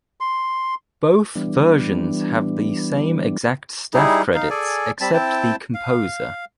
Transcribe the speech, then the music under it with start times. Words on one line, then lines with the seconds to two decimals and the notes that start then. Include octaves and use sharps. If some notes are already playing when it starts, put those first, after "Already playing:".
Both versions have the same exact staff credits except the composer.
0.20 C6
1.35 E3 G3 B3 D4
3.94 G3 D#4 E4 G#4
4.35 D#4 F5
4.50 G#4 A4 D5 G#5
5.01 G3 C4 A5 B5
5.13 C4 E4 G5 A5
5.74 F5